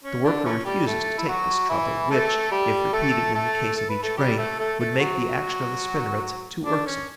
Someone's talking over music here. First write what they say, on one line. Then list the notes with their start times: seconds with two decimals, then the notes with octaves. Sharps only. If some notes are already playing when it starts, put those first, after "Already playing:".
The worker refuses to take this trouble, which, if repeated in the case of each grain, would make the action of the spinnerets too irksome.
0.04 C#4
0.24 D3 D4
0.45 E3 A3 C#4
0.65 G3 G4
0.86 A3 A4
1.18 E4
1.28 F#3 F#4
1.69 E3 E4
2.10 A3 A4
2.51 G3 G4
2.93 A3 A4
3.35 A3 A4
3.76 A4
3.89 B4
4.03 A3 A4
4.17 G3 G4
4.37 A3 A4
4.58 A3 A4
4.79 A3 A4
4.99 F#3 F#4
6.65 D3 D4
6.86 C#4